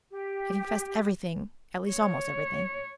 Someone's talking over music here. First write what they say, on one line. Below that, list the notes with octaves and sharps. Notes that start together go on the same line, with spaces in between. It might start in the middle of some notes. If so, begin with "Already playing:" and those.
I confessed everything--at least, almost everything.
G4
C#5